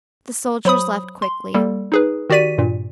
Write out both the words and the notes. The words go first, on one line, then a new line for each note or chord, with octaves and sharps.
The soldiers left quickly.
F#3 C5 B5 D#6
C6
G3 A#3 A4
D#4 G#4 B4
D#3 F#4 G4 D5 B6 D#7
G2 A#2